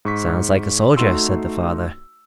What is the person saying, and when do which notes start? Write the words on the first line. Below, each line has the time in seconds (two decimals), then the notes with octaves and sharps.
"Sounds like a soldier," said the father.
0.05 G#2 C#6 B6
0.96 A3 D#4 F#4 C6 E6